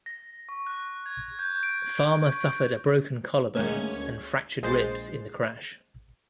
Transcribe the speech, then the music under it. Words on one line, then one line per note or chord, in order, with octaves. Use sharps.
Farmer suffered a broken collarbone and fractured ribs in the crash.
A#6
C#6
F#6
G#6
G6
D7
D7
C#6
D2 G#3 A#3 C#4 G#6
A#1 G#3 C5 A6 C7